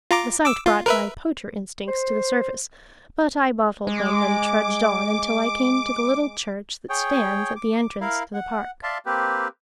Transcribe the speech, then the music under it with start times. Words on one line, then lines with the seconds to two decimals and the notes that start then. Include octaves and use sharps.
The sight brought my poacher instincts to the surface, but I bottled them, and trudged on until I came to the little church that stands at the entrance to the park.
0.11 F4 A#5 D6
0.46 D6 E6
0.66 F4
0.86 A#4 B4 E5
1.88 C5
3.87 G#3 D6
6.90 G#4 C#5 G5
7.56 D6
8.01 E4 A#4 F5
8.34 F#5
8.83 D5 E5 F5 A5 C6
9.06 A#3 C4 G4 B4